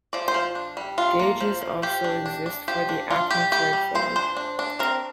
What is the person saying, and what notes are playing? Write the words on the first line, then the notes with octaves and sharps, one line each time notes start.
Gauges also exist for the Acme thread form.
F3 D5
C5
F3
D4
G3
D4 F4
A#3
F3
F3
F3 G4
D4
D4
D4
F3 G4
D4
D4 F4
G3 G4
G3 G4
G3
F3 C5
D4 C5
D4
D4
C4 A#4